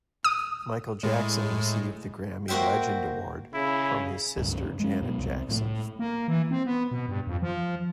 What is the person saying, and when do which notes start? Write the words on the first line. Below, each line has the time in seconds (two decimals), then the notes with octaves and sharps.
Michael Jackson received the Grammy Legend Award from his sister Janet Jackson.
0.24 D#6
1.03 A2 G#3
2.48 A#3 F#4 C5 E5 G5
3.54 C#3 E4
4.37 C#2 G2
4.80 G#3 C#4
5.02 F#2 B2
5.18 C2
5.49 A2 F3 A3
5.99 A#3
6.28 E3
6.51 C4
6.66 B3
6.91 B2
7.09 G2
7.27 F2
7.42 F3